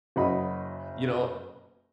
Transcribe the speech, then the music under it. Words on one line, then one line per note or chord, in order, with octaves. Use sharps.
You know
F#1 F#3 F#4 D#5 B5